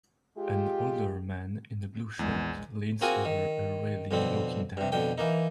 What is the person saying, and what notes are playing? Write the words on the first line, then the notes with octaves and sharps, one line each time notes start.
An older man in a blue shirt leans over a railing looking down.
G#3 F4 G4
A#1 E2 G#3
A#3 C4 F4 F#4 G#4 G#5
D#3
F2 B2 D3 C4
G2 C3
F2 B2 D3 G5
E3 A#3 D#4